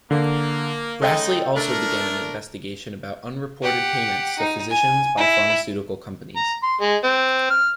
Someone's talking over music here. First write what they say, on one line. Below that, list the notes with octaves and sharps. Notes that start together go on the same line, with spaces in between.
Grassley also began an investigation about unreported payments to physicians by pharmaceutical companies.
D3 A#3
C#3 G#3 D#4 A4 D#5 G5
A3 D4 A4 A#4
G4 F#5
D#4
G#5
E4
A#5
C6
G#3
C4
F6